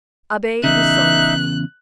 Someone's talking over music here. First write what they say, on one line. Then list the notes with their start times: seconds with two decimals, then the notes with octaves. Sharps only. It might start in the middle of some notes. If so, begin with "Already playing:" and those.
"Abbe Busoni."
0.64 E2 C#3 D#4 E5 F#6